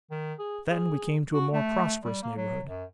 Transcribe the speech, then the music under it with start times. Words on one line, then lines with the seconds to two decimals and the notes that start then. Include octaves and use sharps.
Then we came to a more prosperous neighborhood.
0.11 D#3
0.39 G#4
0.70 G#4
1.34 F#4
1.53 A3
2.03 G3
2.23 A#3
2.36 F#3
2.68 F#2